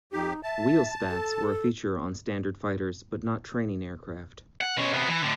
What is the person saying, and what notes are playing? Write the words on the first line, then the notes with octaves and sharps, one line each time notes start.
Wheel spats were a feature of standard fighters but not training aircraft.
F2 D#4 G4
E5 A5
A4
F#5
B2 C#4
C3 B3
E3
A2 D3